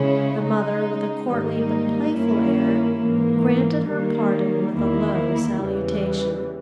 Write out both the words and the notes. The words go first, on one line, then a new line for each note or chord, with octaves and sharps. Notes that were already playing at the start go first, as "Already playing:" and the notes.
The mother, with a courtly but playful air, granted her pardon with a low salutation.
Already playing: C#3 G#3 C#4 E4
C#3 G#3 D#4
G#2 D#3 G3 A#3 D#4
G2 D#3 A#3 C#4 E4
G#2 E3 A#3
D#3 G3 A#3
E2 D#3 A#3 E4
E2 C#3 E3 G3